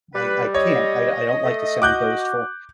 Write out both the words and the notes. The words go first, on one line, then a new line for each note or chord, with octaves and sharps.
I I can't, I I don't like to sound boastful
G3 B4
C#5 D#5
A3
F#4 D6 F#6 G6